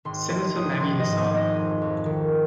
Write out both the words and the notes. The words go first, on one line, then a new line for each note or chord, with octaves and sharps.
Senator Maggie Hassan.
G#1 C6
F3 C6
G#1 D#6
G#1 C6
D#5
G#2
C5
G#1
D#5
F2
F2
D#3